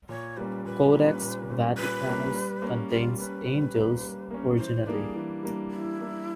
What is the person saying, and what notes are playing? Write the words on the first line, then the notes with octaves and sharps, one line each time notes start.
Codex Vaticanus contains "angels" originally.
A#2 C#5
G3 A#3 C#4 B4
A#2 B4
G3 A#3 C#4
A#2
G3 A#3 C#4
A#2 B4
G3 A#3 C#4
G3
A#3 C#4
G3 F4
A#3 C#4 B4
G3
A#3 C#4
G3
A#3 C#4
E3 C5
G3 A#3 D4 G#4 B4
E3
G3 A#3 D4
E3 E4
G3 A#3 D4